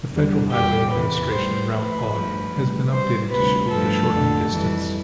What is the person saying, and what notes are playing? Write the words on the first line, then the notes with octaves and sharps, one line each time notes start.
The Federal Highway Administration route log has been updated to show the shortened distance.
E2 D3 G3
E2 B2 G3 G4
E2 C3 E3 B4
A2 G3 C5
A2 F3 A3 B4
G2 F3 A3
A2 G3
B2 G3 C5
D2 C3 G3 B4
G2 F3 A3 A4
F2 D3 A3
F2 E3 G3